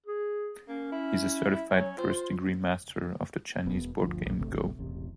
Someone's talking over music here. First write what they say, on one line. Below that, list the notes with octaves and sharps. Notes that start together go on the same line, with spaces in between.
He is a certified first degree-master of the Chinese board game Go.
G#4
A#3 C#4
E4
F#3 C#4
F4 C5
E1 B3
G1 D2 F3
A#1
D1 G#1 C3 A3
E1 A1 C3